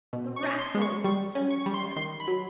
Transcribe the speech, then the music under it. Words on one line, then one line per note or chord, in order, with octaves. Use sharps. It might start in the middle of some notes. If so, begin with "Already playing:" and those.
"The rascals!" shouted the sailor.
B2
C#6
C#4
C6
G#3
C#6
G3 C#6
C#4
C#6
G3
C6
D#3 C6
B5
F#3